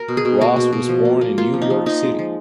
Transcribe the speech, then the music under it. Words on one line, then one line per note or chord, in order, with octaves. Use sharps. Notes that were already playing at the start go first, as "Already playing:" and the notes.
Ross was born in New York City.
Already playing: A#4
B2
G#4
B2
A#3 F#4
B2
B2
F3
A#3
A#3
A#3 F4
F3
D#4
F3
F3 D#4
G#3
F3